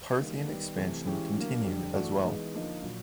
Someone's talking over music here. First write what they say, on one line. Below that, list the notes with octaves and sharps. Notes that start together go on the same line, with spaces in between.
Parthian expansion continued as well.
D#3 G3 A#3
D#3 G3 B3
C3 E3 A3
E3 G#3 C#4 E4 G4
D3 F#3 A#3
F2 D3 G3
E3 A3 D4 F#4
E3 G#3 B3 D#4
D3 F3 A#3 D#4
A#2 F#3